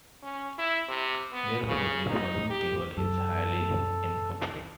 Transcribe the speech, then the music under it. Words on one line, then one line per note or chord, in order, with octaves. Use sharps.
Therefore, the following table is highly incomplete.
C#4
E4
C3
B3
C#3
D#4
G4
F#2 A4